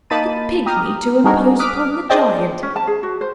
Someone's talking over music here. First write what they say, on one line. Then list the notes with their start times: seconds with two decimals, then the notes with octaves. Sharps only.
The pigmy to impose upon the giant.
0.10 A#3 D#4 A5 B5 A6 D#7
0.66 G4 A#5 D#6 F6
1.24 G3 D4 D#4 F#4 G#4 A#4
1.59 D6 D#6 F6 F#6 B6 D7
2.09 G#4 C5 D5 D#5 G5 A5
2.63 C#4
2.76 A5
2.87 G#4
3.03 F#4
3.21 C5